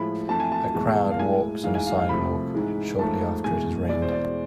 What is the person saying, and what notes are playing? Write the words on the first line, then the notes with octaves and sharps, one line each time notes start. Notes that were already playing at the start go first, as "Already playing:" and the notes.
A crowd walks on a sidewalk shortly after it has rained.
Already playing: A2 F3 G#3 B5
F2 E3 A3 A5
G#5
A5
E2 B2 G#3
F5
A2 G#3 G#5
G#2 E3 G#3 F5
G#5
F5
F5
C2 C3 F3 A3 B5
G#2 E3 G#3
G#2 F3 A3 A5
E2 B2 G#3 G#5
E2 B2 G#3 D5
C5
D5